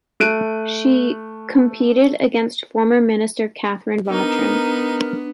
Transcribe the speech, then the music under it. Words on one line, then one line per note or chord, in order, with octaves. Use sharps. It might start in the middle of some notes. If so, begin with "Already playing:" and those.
She competed against former minister Catherine Vautrin.
A3 F#6 D7 D#7
B3 D4 D#4 A#4 D#7